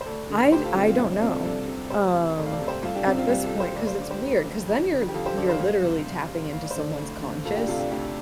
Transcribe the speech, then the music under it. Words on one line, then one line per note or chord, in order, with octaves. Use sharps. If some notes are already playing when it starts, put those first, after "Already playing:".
I d I don't know, um, at this point, 'cause it's weird, 'cause then you're you're literally tapping into someone's conscious
C5
D2 A4 D5
D3
D2 G4 C5
F4 A4
D3 C4 F4
C4 F4
C2 C4
D4
C3 C4 F4
F4 A4
C2 A4 D5
C3
D2 G4 C5
C3
D2 A4 D5
F5
A4 D5
C3
G4 C5
C2 F4 A4
D4 G4
C3 C4 F4
C4 F4
C2 D4 G4
F4 A4
C3
G4 C5
D2 A4 D5
C5 F5
D3 D5
G4 C5
D2
D3
F2
D3
G4
F2 F4 A4
G4 C5
D3 A4 D5
C5 F5
C2
C3
C2
C3
D2 F5
D5
C5
D3 A4 D5
D2
D3
D2 F4 A4
D4 G4
C3 F4 A4
D4 G4
D2 D4 G4